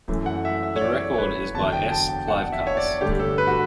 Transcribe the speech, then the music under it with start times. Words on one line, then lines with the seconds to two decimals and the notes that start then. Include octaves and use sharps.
The record is by S. Kleivkaas.
0.08 F#2 E3 A3
0.26 F#5
0.45 E5
0.63 E5
0.76 C#5
0.81 D5
1.14 C#5
1.18 B4
1.55 E2 D3 F#3 B3 A5
1.72 G5
1.92 A5
2.09 G5
2.28 F#5
2.52 E5
2.67 C#5
2.77 D5
3.01 G2 D3 A3 G4
3.20 A4
3.38 B4
3.47 F#4